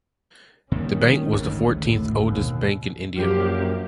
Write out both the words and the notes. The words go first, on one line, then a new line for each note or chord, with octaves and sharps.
The bank was the fourteenth oldest bank in India.
A#2 D#3 G3 C#4
G#1 D2 G#2
F#2 A2
D#2 B2
A#1 F#2 F3 A#3 G4